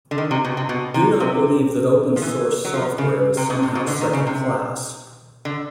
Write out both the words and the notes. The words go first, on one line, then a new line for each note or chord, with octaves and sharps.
Do not believe that open source software is somehow second-class.
D3
D#3
C3
B2
C3
B2
C3
C3
F3
E3
F#3
F3
C#3
C3
B2
C3
B2
D3
D#3
C#3
C3
D3